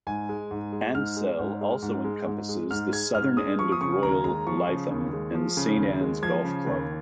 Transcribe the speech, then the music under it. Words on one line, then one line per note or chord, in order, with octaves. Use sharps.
Ansdell also encompasses the southern end of Royal Lytham and Saint Annes Golf Club.
G#2 G#5
G#3
G#2
G#3
G#2 F6
G#3
G#2
G#3
G#2
G#3
G#2
G#3
G#2 F6
G#3 G#6
G#2 F6
G#3 D#6
F3 C#6
D#6
C#3 C#6
D#2 A#5
G#3 A#5
F3 C#6
C#3
D#2
G#3
F3
C#3
D#2
G#3
F3 G#6
C#3
D#2